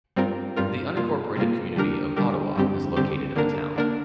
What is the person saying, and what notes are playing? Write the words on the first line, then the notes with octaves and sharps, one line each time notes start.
The unincorporated community of Ottawa is located in the town.
G2 G3 C4 F4 A#4
G2 G3 C4 F4 A#4
C3 G3 A#3 F4
C3 G3 A#3 F4
D3 G3 D4 G4 A#4
D3 G3 D4 G4 A#4
G2 D3 G3 C4 G4
G2 D3 G3 C4 G4
D3 A#3 D4 A#4
D3 A#3 D4 A#4